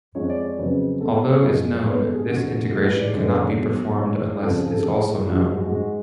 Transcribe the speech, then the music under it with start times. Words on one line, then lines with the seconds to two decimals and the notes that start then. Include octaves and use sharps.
Although is known, this integration cannot be performed unless is also known.
0.15 F2 F3 G#3 C#5
0.29 D5
0.44 C#5
0.58 F2 C#3 F#3 B4
1.00 B2 G#3 A4
1.43 F#2 F3 G#3
1.77 C#5
1.86 B2 G#3 B4
2.00 A4
2.14 G#4
2.29 F2 D3 G#3 F#4
2.71 A2 G#3 F#4
2.85 B4
2.99 D5
3.10 F#2 D3 G#3 C#5
3.20 B4
3.30 C#5
3.56 B2 F#3
3.98 A2 G#3 C#5
4.42 F2 C#3 F3 A4
4.55 G#4
4.69 A4
4.84 A2 G#3 G#4
5.26 F#2 F3 G#3 F#4
5.41 F#4
5.55 F#4
5.68 G#2 G#3 F#4